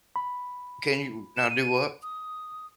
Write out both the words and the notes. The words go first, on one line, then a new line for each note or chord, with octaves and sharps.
can you now do what?
B5
E7
D#7
D#6